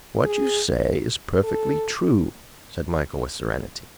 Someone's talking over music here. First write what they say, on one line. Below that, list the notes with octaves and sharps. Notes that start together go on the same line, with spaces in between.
"What you say is perfectly true," said Michael, with serenity.
G#4
A4